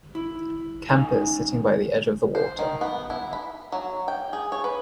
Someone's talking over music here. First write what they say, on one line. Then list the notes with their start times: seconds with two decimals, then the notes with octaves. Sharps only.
Campers sitting by the edge of the water.
0.15 E4
0.89 C#2 D#4 F5 G#5
2.35 C5
2.59 D#3
2.81 B3
3.10 E4
3.33 B5
3.72 F#3
4.08 G5
4.33 G#4
4.52 C#5
4.64 B4